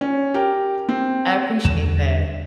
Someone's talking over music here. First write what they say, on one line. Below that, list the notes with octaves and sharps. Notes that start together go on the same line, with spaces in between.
I appreciate that.
C#4
G4 A#4
C4
E2 D3 G3 E7